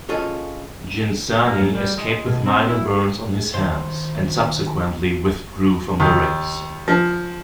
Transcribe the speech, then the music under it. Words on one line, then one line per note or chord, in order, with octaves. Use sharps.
Ghinzani escaped with minor burns on his hands, and subsequently withdrew from the race.
C#4 F4 G#4 A4 D#5
A#3
F#2
G3
G#3
B2
C4
E4
D#3 C5
D#2
F3